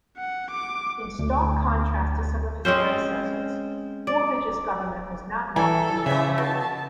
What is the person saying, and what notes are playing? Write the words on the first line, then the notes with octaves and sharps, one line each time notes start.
In stark contrast to some of his predecessors, Borbidge's government was not markedly domineering.
F#5
D6
D2
G#3 C4 C#4 C5
D5
E3 A4 G#5
C#3 G3 A3 E5
B2 A5